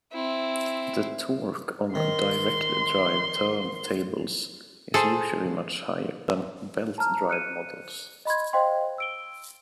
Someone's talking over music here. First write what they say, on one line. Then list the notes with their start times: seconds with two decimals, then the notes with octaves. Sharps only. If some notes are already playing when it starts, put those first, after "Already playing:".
The torque on direct-drive turntables is usually much higher than on belt drive models.
0.13 C4 E4
1.95 D#3 C6
4.94 G#4 A4 C5 A5
6.98 A5 A#5 F6
7.29 F#6 C#7 D#7
8.25 D#5 B5 C6 G#6
8.53 C5 D#5 F5 G5 C6
8.98 E6 D7 G7